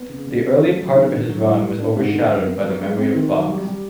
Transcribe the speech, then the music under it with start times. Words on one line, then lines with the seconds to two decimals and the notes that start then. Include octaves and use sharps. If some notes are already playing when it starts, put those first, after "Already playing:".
The early part of his run was overshadowed by the memory of Fox.
Already playing: B3
0.09 C#3
0.27 C#3
0.43 C#4
0.60 A3
0.77 F#3
0.95 D#3
1.11 D3
1.29 F#3
1.46 A2
1.62 A2
1.79 D4
1.97 G#2
2.12 D3
2.30 F#2
2.46 B3
2.63 F#3
2.81 G#3
2.98 C4
3.15 D#3
3.31 F#3
3.49 G3
3.65 G3